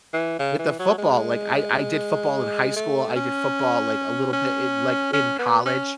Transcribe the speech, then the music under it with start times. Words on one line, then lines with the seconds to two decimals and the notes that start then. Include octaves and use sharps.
with the football, like, I I did football in high school, I did football like a little bit in, like, in college
0.13 E3
0.39 C#3
0.59 E3
0.79 F#3
0.98 G#3
2.76 A3
3.16 C#4
4.33 C#4
5.13 C#4
5.39 B3
5.65 C#4